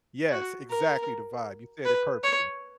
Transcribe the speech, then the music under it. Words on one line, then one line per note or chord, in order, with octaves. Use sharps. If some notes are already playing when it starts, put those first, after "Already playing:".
Yes, exactly the vibe, you said it perfectly.
F#4
A#4
B4
C#5